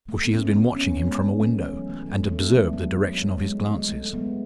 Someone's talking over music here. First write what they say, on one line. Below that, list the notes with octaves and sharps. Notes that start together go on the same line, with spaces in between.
For she has been watching him from a window, and observed the direction of his glances.
A3
B3
C#4
B3
C#4
B3
C#4
B3
C#4
G#3 B3
A3 C#4
E3
F#3
A3
G#3
A3
B3 D4
G#3
F#3
G#3
A3
G#3 B3